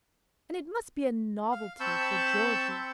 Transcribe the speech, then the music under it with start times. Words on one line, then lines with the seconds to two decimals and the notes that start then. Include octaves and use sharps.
And it must be a novelty for Georgey.
1.52 F5
1.80 C4 A5 B5 C#6 E6 G6